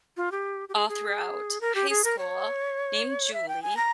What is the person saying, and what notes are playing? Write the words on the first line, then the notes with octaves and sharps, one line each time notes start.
all throughout high school named Julie,
F4
G4
G4
G#4
G#4
A#4
G4
G#4
A#4
C#5
E5
G5
G#5
A#5